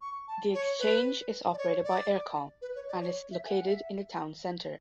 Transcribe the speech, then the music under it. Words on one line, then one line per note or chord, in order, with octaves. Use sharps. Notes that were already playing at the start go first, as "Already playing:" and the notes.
The exchange is operated by eircom and is located in the town centre.
C#6
A5
C#5
B4
D5
C#5
D5
B4
C#5
D5
C#5
E5
G#5
F#5
E5